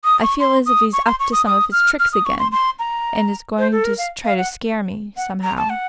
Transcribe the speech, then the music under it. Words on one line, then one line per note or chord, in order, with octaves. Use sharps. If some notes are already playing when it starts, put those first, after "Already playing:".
"I feel as if he is up to some of his tricks again, and is going to try to scare me, somehow."
D#6
C#6
C6
D#6
C#6
C6
C#6
D#6
D#6
F6
F6
D#6
C#6
C6
C6
A#5
C5
A4
A#4
F5
F5
F#5
F#5
A#5
A5
F#5